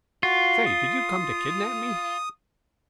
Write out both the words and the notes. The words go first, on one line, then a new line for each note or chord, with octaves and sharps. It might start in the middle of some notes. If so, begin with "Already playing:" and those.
"Say, did you come to kidnap me?"
F4 F#4
D#6